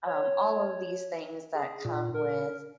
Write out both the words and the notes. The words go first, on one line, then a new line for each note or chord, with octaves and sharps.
um, all of these things that come with
C#5
G#4
A#2
A#4